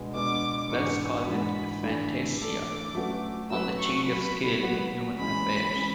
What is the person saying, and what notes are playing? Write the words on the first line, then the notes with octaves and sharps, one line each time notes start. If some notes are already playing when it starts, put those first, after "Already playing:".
Wells called it a fantasia on the change of scale in human affairs.
Already playing: B2 G#3 B3 D4
B2 G#3 B3 D4 D6
G#2 E3 G#3 D4 F#4 C#6
G#2 E3 G#3 D4 F#4 B5
E3 A3 D4 A4
E3 A3 D4 A4 D6
F#3 A3 C#4 F#4 B4
F#3 A3 C#4 F#4 B4 E6
C#6
F#3 B3 F#4 B5
F#3 B3 F#4
E3 G#3 C#4 B5
E3 G#3 C#4